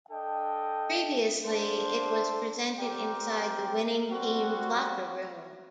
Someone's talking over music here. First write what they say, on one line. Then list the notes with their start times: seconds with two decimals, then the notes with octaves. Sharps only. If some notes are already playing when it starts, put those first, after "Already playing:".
Previously, it was presented inside the winning team's locker room.
0.11 D4 A4 D#5 G5
1.43 A#3 D4 A4 C5
2.77 C4 G4 A#4 D5 G5
4.09 G3 C4 F#4